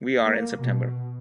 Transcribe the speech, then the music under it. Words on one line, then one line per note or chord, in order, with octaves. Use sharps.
We are in September.
A#3
B2